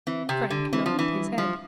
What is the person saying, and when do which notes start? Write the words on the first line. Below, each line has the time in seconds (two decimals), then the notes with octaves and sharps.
Frank nodded his head.
0.07 E3 C4
0.29 C3 G4
0.50 D3 G4
0.73 E3 C4
0.86 F3
0.94 E3 D4
1.16 G3
1.38 F3 G3